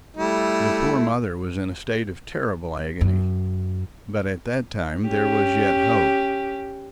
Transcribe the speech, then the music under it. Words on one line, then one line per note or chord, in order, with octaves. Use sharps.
The poor mother was in a state of terrible agony, but at that time there was yet hope.
G3 A3 E4
F#2
C#4 G4